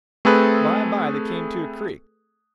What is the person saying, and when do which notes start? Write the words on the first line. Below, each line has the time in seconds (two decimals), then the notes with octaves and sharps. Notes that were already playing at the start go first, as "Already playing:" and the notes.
By and by they came to a creek.
0.25 A3 C4 G#4 A4 B4